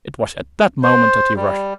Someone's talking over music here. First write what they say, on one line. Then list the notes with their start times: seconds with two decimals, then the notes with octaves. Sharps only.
It was at that moment that he rushed me.
0.83 C5
1.36 G3